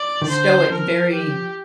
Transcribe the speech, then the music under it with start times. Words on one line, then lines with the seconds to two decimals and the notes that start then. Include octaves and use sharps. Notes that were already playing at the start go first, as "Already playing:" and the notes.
stoic, very,
Already playing: D5
0.22 D#3
0.28 D3 C5
0.70 F3 A#4
1.13 G4